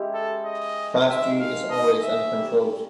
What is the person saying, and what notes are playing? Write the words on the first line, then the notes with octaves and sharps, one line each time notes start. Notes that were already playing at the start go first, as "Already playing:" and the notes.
Class G is always uncontrolled.
Already playing: G#3 C#4 E4 G4
A4
D#5
D#3 G#3 C#4 E5
F5
D#5
E5
G3 A#3 C#4